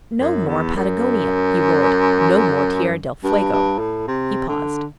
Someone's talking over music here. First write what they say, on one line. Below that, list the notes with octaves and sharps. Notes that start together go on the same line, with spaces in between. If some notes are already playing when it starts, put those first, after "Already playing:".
"No more Patagonia!" he roared, "no more Tierra del Fuego!" he paused.
F#2
E2
F#2
G2
G2
A2
C3
D3